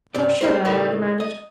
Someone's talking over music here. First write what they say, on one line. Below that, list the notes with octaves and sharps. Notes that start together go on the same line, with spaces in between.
"How should I?" I demanded.
G2 C3 G4 D5
G3 G#3 A#3 C5
C#2 A2 D#3 A3 A#4 B4
D#5